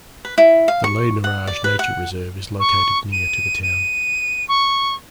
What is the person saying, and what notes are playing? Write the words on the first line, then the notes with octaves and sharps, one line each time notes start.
The Les Nourages Nature Reserve is located near to the town.
B4
E4
F5
C#6
F#5
D5
B4
F#5
C#6
D#7
D#7
C#6